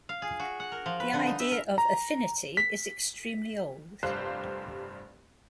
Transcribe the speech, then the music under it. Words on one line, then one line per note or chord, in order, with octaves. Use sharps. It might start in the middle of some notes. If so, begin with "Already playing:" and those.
The idea of "affinity" is extremely old.
F5
G#4
F#4
F#5
A#4
F3
B4
D3
D#4
E5
A#4
A#5
B6
F1 G2 G4 C5 F5 F#6